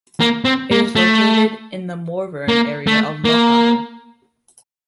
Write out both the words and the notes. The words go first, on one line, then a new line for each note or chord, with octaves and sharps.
It is located in the Morvern area of Lochaber.
A#3
C4
A#3
A3
A#3
A3
A#3